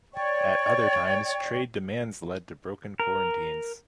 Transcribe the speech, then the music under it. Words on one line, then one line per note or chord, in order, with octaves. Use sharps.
At other times, trade demands led to broken quarantines.
C#5 D5 G5 C#6
A#4